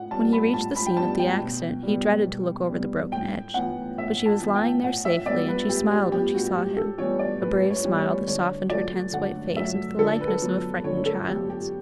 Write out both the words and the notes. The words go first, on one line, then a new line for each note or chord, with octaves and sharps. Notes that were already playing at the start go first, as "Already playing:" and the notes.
When he reached the scene of the accident he dreaded to look over the broken edge, but she was lying there safely and she smiled when she saw him--a brave smile that softened her tense white face into the likeness of a frightened child's.
Already playing: A2 F#5
G3 B3 A5
B5
A2 A5
B5
G5
G3 B3 A5
G5
B2
G3 B3
B2
G3 B3
A2 G5
E3 B3 F#5
A2 E5
A5
E3 B3
G5
A2 F#5
E5
G3 B3 D5
B4
A2 G4
G4
G3 B3 G4
F#4
A2 G4
A4
E3 G3 B3 C#5
D5
A2 B4
C#5
E3 G3 B3
C#5
D3 C#5
F#3 A3 D5
D3 F#5
F#3 A3 E5
D3 A4
B4
A4
F#3 B3
D3 C#5
A4
F#3 B3 G4
G4